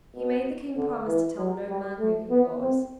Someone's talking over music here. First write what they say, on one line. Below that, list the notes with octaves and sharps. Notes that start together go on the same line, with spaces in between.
He made the King promise to tell no man who he was.
B2
D3
E3
F#3
G3
A3
B3
C4